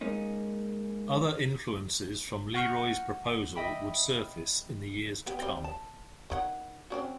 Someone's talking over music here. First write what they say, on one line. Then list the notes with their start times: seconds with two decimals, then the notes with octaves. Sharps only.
Other influences from LeRoy's proposal would surface in the years to come.
0.01 G#3 A#3 C#4 D#4
2.54 F#5 C#6 F6 G6 A#6 C#7
3.55 D#5 E5 G5 B5 D6
5.26 B3 G4
5.39 G3 C4
5.64 A5
6.30 D#3 E4 F#5
6.90 C4 C#4 F#4